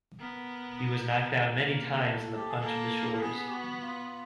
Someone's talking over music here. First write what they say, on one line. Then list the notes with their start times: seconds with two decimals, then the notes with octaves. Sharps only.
He was knocked down many times in the punch of the shores.
0.20 B3 A#4
1.40 A#3
1.92 A#4
2.00 A4
2.36 G4
2.49 G#4
2.61 A#3 A4
3.13 A4
3.21 B3 G#4
3.47 G4
3.51 F#4
3.81 F4